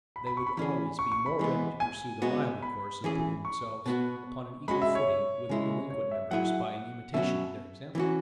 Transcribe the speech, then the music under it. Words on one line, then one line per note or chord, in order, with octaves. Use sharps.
They would always be more ready to pursue the milder course of putting themselves upon an equal footing with the delinquent members by an imitation of their example.
B5
B5
C#6
B5
E3 C#4 G#4 B5
C#6
C#6
B5
E3 G#3 B3
G#5
G#3 B3 F#4
B5
E3 C#4 G#4
C#6
B2 B3 F#4
G#3 C#4 F#4 B5
E5
C#5
C#3 G#3 E4
C#5
E5
F#3 E4 G#4 F#5
B2 F#3 C#4 F#4 E5
E3 C#4 F#4